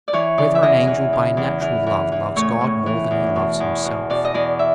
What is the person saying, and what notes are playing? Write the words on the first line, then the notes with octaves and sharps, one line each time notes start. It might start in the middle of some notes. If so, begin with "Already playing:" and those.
Whether an angel by natural love loves God more than he loves himself?
D5
E3 C#5
C#3 D5
E5
E2 D#5
E3
C#3
E2
E3
E3
E3
A2 C#5
A2
E3
E2
B2
E2
B2
B2 D5
D#5
E2 D5
E5